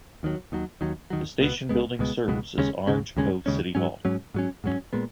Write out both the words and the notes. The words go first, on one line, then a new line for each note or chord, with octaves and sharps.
The station building serves as Orange Cove City Hall.
D#2 D#3 F#3
D#2 D#3 F#3
D#2 D#3 F#3
D#2 D#3 F#3
C#2 B2 G#3 B3
C#2 B2 G#3 B3
C#2 B2 G#3 B3
C#2 B2 G#3 B3
D#2 C#3 G#3 C#4
D#2 C#3 G#3 C#4
D#2 C#3 G#3 C#4
D#2 C#3 G#3 C#4
G#2 F#3 C#4
G#2 F#3 C#4
G#2 F#3 C#4
G#2 F#3 C#4
A#2 G#3 B3